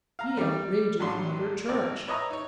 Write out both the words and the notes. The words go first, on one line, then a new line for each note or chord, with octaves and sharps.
"He outrages Mother Church."
F5 A#5
G3 D5
A1 F#3 D4 C6
G#1 D5
B4 C#5 D#5 E5 A#5
D#4 C#5